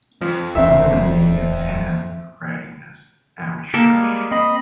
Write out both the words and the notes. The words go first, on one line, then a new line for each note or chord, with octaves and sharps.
Some in the media panned the writing as amateurish.
F2 F3
D1 E2 A2 C4 E5 E6
A#3 G4 A4
G3 G#3 F6
C4 D#5 B5